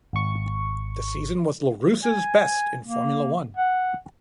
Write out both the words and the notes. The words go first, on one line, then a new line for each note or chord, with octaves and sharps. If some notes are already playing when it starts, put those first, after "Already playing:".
The season was Larrousse's best in Formula One.
G#1 C#6
G#5
A#3
F#5